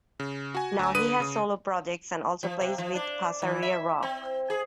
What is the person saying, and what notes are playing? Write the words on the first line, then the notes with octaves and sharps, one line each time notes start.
Now he has solo projects and also plays with Pasarea Rock.
C#3
F#4 G#5
D2 G#5
D3 B4 D#6 D#7
C#3 D#6
F3
C3
F3
D4
E3
E5
C4
G#4